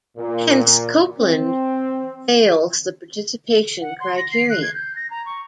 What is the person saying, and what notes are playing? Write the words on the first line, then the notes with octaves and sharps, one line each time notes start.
Hence, Copeland fails the Participation criterion.
A#2
C4
F#5
C6
A#6
C7
F#6
G#6
G6
A#6
A#5
C#6